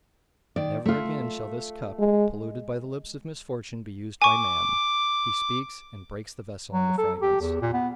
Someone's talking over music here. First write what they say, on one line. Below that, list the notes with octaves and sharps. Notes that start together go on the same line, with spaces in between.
"Never again shall this cup, polluted by the lips of misfortune, be used by man." He speaks, and breaks the vessel into fragments.
D#3 D5
A3 F4
G#3
G#5 C#6 D6
F#3
A4
G4
E2
A#2
B3